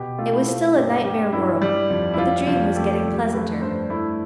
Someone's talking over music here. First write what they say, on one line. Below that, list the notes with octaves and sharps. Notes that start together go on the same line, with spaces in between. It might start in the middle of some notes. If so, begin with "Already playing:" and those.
It was still a nightmare world, but the dream was getting pleasanter.
Already playing: B2 G4
A3 F4
E4
A3 F4
G2 G4
G3 G4
G2 E4
G3
F2
E4
G3 F4
F2 F4
A3 G4
A4
F2
G4
A3 B4
G2 C5
A3 E4